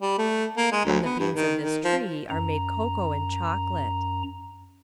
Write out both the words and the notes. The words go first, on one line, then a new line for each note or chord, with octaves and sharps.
From the beans of this tree are made cocoa and chocolate.
G3
A3
A#3
G#3
D2
B3
G2
D#3
D#3
F3
F#2 A#5